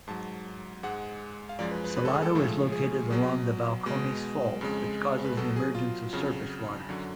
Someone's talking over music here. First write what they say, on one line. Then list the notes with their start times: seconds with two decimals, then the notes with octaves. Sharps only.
Salado is located along the Balcones Fault, which causes the emergence of surface waters.
0.07 G#2 F#3 A5
0.83 G#2 G#3 F#5
1.49 F5
1.59 F#2 F3 G#3 D5
1.71 B4
1.84 B4
1.97 B4
2.05 A4
2.14 G#4
2.22 A4
2.35 A2 F3 G#3
2.72 G#4
3.10 B2 F#3
3.86 B2 G#3
4.61 F2 C#3 G#3
5.25 B4
5.37 B2 F#3 A4
5.56 G#4
5.75 F4
6.13 F2 C#3 F#3
6.89 F#2 D3 F#3